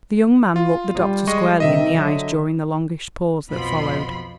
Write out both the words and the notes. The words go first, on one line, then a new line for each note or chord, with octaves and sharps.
The young man looked the doctor squarely in the eyes during the longish pause that followed.
F4
G3
G#3 D#5 C#6
C3 D#3 D#5 E5
D3 F#3
B1 F2 B2 F3 B5 C6